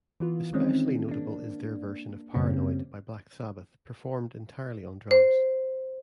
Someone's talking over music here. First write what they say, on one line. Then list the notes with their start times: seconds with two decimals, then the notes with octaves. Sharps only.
Especially notable is their version of "Paranoid" by Black Sabbath performed entirely on drums.
0.20 E3 B3 F4
0.53 D#3 G#3 C4 C#4
1.08 A#3 D4
2.34 F#2 C#3 G3 A#3 C4 C#4
5.11 C5